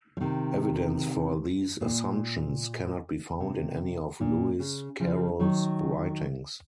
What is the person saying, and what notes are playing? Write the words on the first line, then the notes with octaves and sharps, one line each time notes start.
Evidence for these assumptions cannot be found in any of Lewis Carroll's writings.
F3
C3 D#3
A#2
C3
A#2
C#3
C#3 F3
D#3 F#3